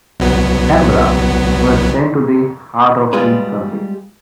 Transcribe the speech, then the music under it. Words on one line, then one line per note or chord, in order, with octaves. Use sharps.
"Canberra" was sent to the heart of the conflict.
C2 F#3 B3
G3 G#3 B3 F4 G#4 B4